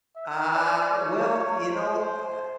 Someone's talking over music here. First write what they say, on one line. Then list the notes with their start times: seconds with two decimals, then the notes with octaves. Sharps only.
Uh, well, you know, eh
0.16 E5
0.55 D5
0.95 C#5
1.72 C5